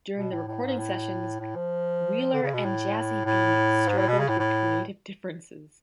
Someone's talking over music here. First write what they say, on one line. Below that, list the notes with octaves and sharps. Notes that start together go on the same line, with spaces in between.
During the recording sessions, Wheeler and Jazzie B struggled with creative differences.
B2
A2
A2
G#2
A2
A2
F3
D3
C#3
B2
A2
A2
G#2
A2
B2
C#3
A2
A2